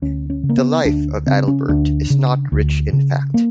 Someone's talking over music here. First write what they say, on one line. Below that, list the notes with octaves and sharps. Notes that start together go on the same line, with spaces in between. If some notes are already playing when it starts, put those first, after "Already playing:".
The "Life" of Adalbert is not rich in fact.
D2 C#4
C#4
C#3
A#3
B3
D2 D4
C#3 C4
C#4
D2 D4
C#3
D2
C#3
A#3